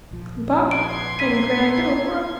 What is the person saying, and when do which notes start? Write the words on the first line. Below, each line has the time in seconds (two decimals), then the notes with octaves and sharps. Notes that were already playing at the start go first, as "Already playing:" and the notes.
Bach, and grand opera.
0.11 A#1 F3
0.71 B3 G#4 B4 D5 C6 G#6 D7
1.19 A#3 E4 A4 B6 D#7